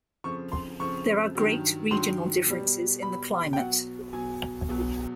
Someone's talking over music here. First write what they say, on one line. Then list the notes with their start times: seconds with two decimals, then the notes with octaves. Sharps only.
There are great regional differences in the climate.
0.24 F2 C#3 F3 C#6
0.52 C6
0.79 F2 C#3 F3 C#6
1.35 G2 D#3 F#3
1.91 G2 D#3 F#3 C6
2.47 B2 G3
3.02 B2 G3 B5
3.53 G5
3.57 B2 F#3 F#5
4.13 B2 F#3 G#5
4.68 E2 B2 F#3